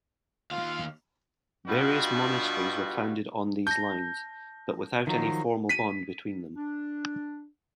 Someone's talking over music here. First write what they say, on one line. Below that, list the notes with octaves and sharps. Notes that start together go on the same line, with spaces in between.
Various monasteries were founded on these lines, but without any formal bond between them.
D#2 F4 F5
G2 B2 G3 F4 F#4
A5 G6 A#6
D#3 F3 F#3 D#4
B6 D#7
D4